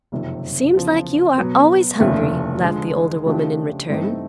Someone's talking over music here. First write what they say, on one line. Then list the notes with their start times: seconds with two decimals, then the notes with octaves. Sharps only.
"Seems like you are always hungry," laughed the older woman, in return.
0.12 F#1 F2 C3 D#3
0.74 E2 C#3 F3
1.38 B2 F#3 B3
2.00 F1 D#2 C#3 E3 A3
2.63 D3 F3 G#3
3.26 C#3 F3 A3 D4 G4
3.89 G2 E3 A3 C4 D#4